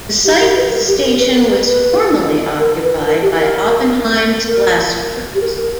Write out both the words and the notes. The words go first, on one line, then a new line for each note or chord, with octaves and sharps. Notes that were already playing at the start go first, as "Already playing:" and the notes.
The site of the station was formerly occupied by Oppenheims Glassworks.
G4
A#4
B4
A#4
G4
A#4
B4
A#4
B4
B4
A#4
B4
A#4
G4
A#4
A#4
G4
A#4
A#4